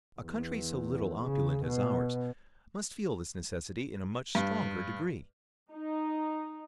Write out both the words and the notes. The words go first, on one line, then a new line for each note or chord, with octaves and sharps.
A country so little opulent as ours must feel this necessity in a much stronger degree.
E2
C#3
B2
G2
D#4